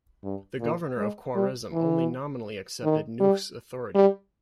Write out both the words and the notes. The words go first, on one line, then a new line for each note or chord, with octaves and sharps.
The governor of Khwarazm only nominally accepted Nuh's authority.
G2
A#2
G#3
G3
E3
D#3
G3
G3